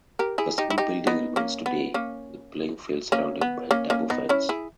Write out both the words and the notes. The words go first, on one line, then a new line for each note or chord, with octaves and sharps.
The school building remains today, with playing fields surrounded by a double fence.
G4 A#4
E4 G#4
D#4 G4
E4
D#4 G4
B3 D#4
A#3 C#4
B3
A#3 C#4
A#3 C#4
B3
A#3 C#4
A#3 C#4
B3 D#4
C#4 E4
E4 G#4